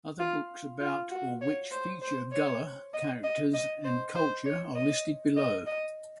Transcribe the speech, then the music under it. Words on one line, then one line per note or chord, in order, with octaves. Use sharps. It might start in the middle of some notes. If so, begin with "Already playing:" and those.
Other books about or which feature Gullah characters and culture are listed below.
F4
F4
F#4
C#5
C5
C5
C#5
D#5
D#5
D#5
C5
C5
C#5
D#5
D#5
D#5